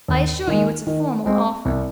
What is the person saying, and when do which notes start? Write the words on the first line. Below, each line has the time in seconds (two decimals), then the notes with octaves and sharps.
"I assure you it's a formal offer."
0.08 D#2
0.47 D#3 G#3
0.87 D#3
1.26 G#3 C4
1.65 C2